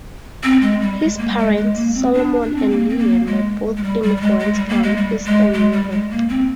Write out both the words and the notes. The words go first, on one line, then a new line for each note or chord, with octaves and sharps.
His parents, Solomon and Lillian, were both immigrants from Eastern Europe.
C4
G#3
G3
G#3
A#3
G3
G#3
G#3
A#3
C4
D4
D4
C4
A#3
C4
A#3
G#3
G#3
G3
G3
G3
G#3
G#3
G3
A#3
G#3
G3
G#3
G#3
G3
G#3
A#3
C4